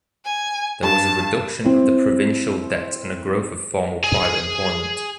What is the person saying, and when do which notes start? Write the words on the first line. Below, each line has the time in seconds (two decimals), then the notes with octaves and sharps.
There was a reduction of the provincial debt and a growth of formal private employment.
0.25 G#5
0.83 G2 A5
1.65 C4 E4
4.04 G#4 G#5